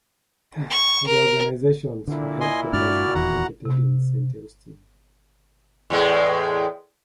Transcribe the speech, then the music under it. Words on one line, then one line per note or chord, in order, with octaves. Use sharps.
The organisation's headquarters are located in Saint Augustine.
C#6
A#4
A#2 D3 E4
D#5 G#5 C6
G2 G#3 D4 F#4 D5 F6
D#1 E2 D#3 F#5 A#5
C3
E2 A2 G#3